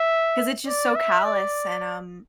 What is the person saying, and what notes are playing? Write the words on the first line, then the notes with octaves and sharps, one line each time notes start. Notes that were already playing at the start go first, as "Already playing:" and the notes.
'cause it's just so callous and, um,
Already playing: E5
D5
E5
D5